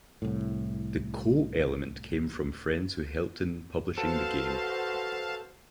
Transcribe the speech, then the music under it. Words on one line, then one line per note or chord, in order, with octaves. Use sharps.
The "Co" element came from friends who helped in publishing the game.
C2 A2
F#4 A4 B4 C5 F5 A5